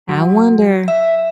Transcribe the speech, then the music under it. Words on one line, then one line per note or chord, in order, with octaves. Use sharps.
I wonder.
F#3
E5